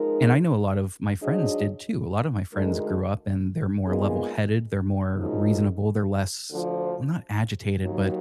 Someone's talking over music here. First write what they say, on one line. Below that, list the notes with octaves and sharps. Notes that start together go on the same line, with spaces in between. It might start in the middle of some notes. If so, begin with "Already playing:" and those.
And I know a lot of my friends did, too. A lot of my friends grew up, and they're more level-headed, they're more reasonable, they're less well, not agitated, but
Already playing: F3 G#3 D#4 A#4
G#2 F#3 D4 G#4 D#5
D2 D3 G#3 D#4 A#4
A#2 G#3 B3 D#4 G#4
F#2 F3 G#3 D#4
D2 D3 F3
D#2 D#3 F#3